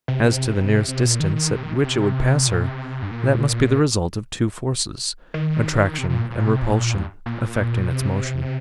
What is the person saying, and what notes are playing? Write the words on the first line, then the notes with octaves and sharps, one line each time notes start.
As to the nearest distance at which it would pass her, that must be the result of two forces, attraction and repulsion, affecting its motion.
C3
C3
C3
A#2
D#3
D#3
C3
D#3
C3
C3
A#2
C3
G2
A#2
D#3
C3
C3
A#2
A#2
C3
A#2
G2
A#2
C3